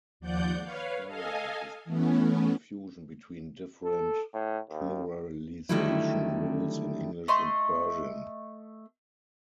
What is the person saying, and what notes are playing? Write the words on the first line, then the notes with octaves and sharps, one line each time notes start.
This error is due to confusion between different pluralization rules in English and Persian.
D#2 F3 D5 F#5 G6
B4 C#5 F5
A4 D#5 F5 G#5
E3 A3 B3 C#4
A4
A2
D#2
D3 D#3 F#3 G3 A3 E4
A3 D#5 C6